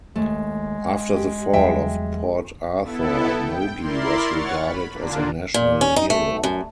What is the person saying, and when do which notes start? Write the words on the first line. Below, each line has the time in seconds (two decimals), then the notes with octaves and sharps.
After the fall of Port Arthur, Nogi was regarded as a national hero.
0.16 D#2 G#3 A3
1.16 G4
1.53 E2 F#3 G3 F#4 G#4 E5 G5
2.81 B3 E4 A4
3.36 G5
3.77 E4 A#4 D5 C6
4.29 C#5 F#5 C#6 F6 A6
4.61 B5
4.90 A#2 D3 A#3 D4 F4
5.54 A#2
5.81 C#4
5.96 D#4
6.10 A3
6.44 F#2